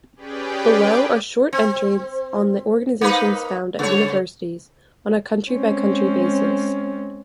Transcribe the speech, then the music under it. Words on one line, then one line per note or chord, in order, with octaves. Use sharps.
Below are short entries on the organizations found at universities on a country-by-country basis.
C#4 G4 G#4 B4 D5 G5
C4
A#3 D#4 B4
C#3 C#5
G#3 C4 C#4